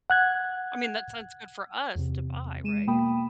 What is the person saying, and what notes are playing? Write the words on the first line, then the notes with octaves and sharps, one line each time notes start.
I mean, that sounds good for us to buy, right?
F#5 F#6 G#6
E2 C3
G#3 D#7 E7
B2 A#3 G5 B5 D#6